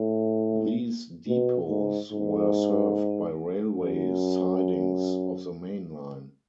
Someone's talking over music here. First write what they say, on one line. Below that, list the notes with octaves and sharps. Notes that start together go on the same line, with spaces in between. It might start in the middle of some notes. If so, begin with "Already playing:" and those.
These depots were served by railway sidings off the main line.
Already playing: A2
B2
G#2
G#2
F#2